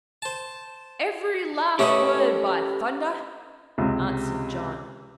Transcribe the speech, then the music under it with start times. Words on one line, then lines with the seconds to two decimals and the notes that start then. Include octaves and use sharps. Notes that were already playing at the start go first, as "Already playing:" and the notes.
"Every last word, by thunder!" answered John.
0.22 C5 A5
1.79 A3 C#4 G4 A4 B4 D#5 E5 F#5
3.78 C#2 C3